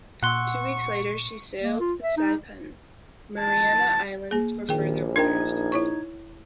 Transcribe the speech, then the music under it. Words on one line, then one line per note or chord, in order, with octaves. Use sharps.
Two weeks later, she sailed to Saipan, Mariana Islands, for further orders.
A#2 F#5 C6 C#6 E6 F#6
A#3
F4
E5
D#4
A5
A#3 G#4
A#1 D#3 G#4 G5
D4 D#4 A#4 G5 G#6
E4 C#5 C#6